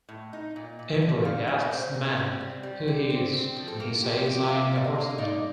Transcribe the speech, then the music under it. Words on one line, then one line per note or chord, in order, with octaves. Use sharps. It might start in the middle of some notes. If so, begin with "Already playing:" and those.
Imbri asks the man who he is, and he says "I am the Horseman".
A2
D#4
A#2
A#2
A3 D5
D#4 F5
A3 D5
A#4
A#2 C5
A#2
G3
C4
G3
D3
C4
C4
F3
A4
A#3 A#4
F3 G4
F3 G4
A#3 F5
A#3 D5
D#5
A#3
F5
D#5
D#4 D5